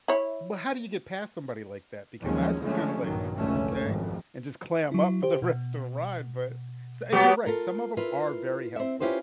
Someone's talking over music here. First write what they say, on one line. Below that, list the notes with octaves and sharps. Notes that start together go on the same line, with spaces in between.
But how do you get past somebody like that, because I just kinda like, "Oh, okay," and just clam up for the rest of the ride, but so and you're right, some of them are very helpful,
E4 C#5
D#2 F3 F#3 G#3 C#4
D3 F3 G#3 A3 C#4
A#1 G2 D#3 F#3
F1 C#2 D3 A3 C#4
G#1 F2 G#2
F#3 E4
G4 C5
B2
F#3 B3 G4
F4 A4 A#4
E4 F4 A#4 B4
C4 E5
C#4 E4 F4 G4 B4 C5